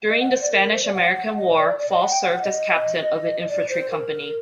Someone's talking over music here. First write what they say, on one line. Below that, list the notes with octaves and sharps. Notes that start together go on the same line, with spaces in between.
During the Spanish-American War, Fall served as captain of an infantry company.
D#5
F#5
C5
D5
A#4
A#4
C5
D5
F#5
F#5
D#5
C5
D5
D5
D#5
F#5
G5
F#5
D#5
D5
C5
A#4